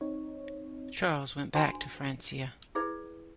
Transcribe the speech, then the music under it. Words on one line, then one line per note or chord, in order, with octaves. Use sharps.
Charles went back to Francia.
C4 D#4 C#5
D4 F#4 C5 G#5 A#5 C6
E4 G#4 B4 D5